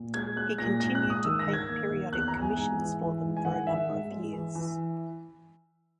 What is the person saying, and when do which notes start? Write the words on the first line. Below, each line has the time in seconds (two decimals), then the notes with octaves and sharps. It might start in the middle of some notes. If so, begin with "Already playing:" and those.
He continued to paint periodic commissions for them for a number of years.
Already playing: A#2
0.14 G#3 G#6
0.36 G#3 F#6
0.58 A#2 A#6
0.80 G#2 A#6
0.95 F#6
1.03 G#2
1.10 D#6
1.24 D#3 E6
1.39 A#6
1.47 D#3
1.53 G#6
1.69 A#3
1.91 D#3
2.13 E2 F#6
2.28 A#5
2.35 E2
2.42 G#5
2.57 G#2
2.79 E3
3.01 E3
3.23 G#2
3.37 G#5
3.45 D#3 F#5
3.67 D#3 E5
3.90 G#2
4.11 G#3
4.33 E3
4.55 E3